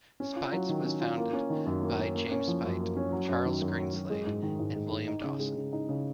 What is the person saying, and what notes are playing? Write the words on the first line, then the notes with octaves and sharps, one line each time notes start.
Speights was founded by James Speight, Charles Greenslade, and William Dawson.
C#4
F4
F#3
D#3
C#4
F4
A#3
C#4
D#3
F#2
A#3
C#4
A#3
C#4
F3
F#2
A#3
C#4
F#3
F#2
D#3
F#2
F#3
F#2
G#3
G#2
D#3
G#2
G#3
G#2
D#4
C#3
G#3
C#3
D#4
C#3